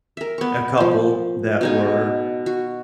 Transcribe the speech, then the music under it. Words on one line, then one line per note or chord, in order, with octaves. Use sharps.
a couple that were
A#4 E5
B3 C#6
F3 C5
B2 D#4 G#5
F#4